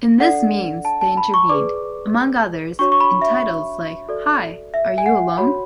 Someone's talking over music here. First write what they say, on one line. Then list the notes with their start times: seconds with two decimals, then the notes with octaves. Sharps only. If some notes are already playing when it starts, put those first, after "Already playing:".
In this means they intervened, among others, in titles like "Hi, are you alone?".
0.20 D4 A4 D5 F#5
0.85 A5
1.01 A5
1.17 B5
1.34 C#6
1.49 G#4 B4 D5 D6
2.79 D4 F#4 C#5 C#6
2.92 C#6
3.00 B5
3.22 E5
4.09 F#4 A4 D5
4.74 E5
4.98 G#5
5.06 F#5
5.38 F#4 C#5 B5